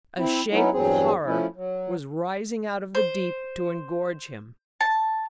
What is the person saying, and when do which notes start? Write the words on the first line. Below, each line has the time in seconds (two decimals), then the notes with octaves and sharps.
A shape of horror was rising out of the deep to engorge him.
0.18 C4 E4
0.51 F#3 B3 C#4 D#4 E4
0.73 E2 G2 F#3 C4 G#4
1.25 F3 A3 C#4 E4
1.56 F#3
2.95 C5
4.81 A5